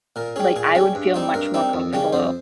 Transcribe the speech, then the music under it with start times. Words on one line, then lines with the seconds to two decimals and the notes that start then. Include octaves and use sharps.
like, I would feel much more comfortable
0.16 A#2 A#4
0.36 G3 C#4 G#4
0.56 A#2 G#4
0.75 G3 C#4
0.95 G2
1.14 G3 C4 D#4
1.34 G2 A#4
1.54 G3 C4 D#4
1.73 F2
1.93 C#3 G3 C#4
2.13 F2 C5